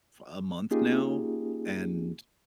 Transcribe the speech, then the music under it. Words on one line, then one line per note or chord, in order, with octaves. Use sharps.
a month now, and
A#3 C#4 D#4 F4 G4 G#4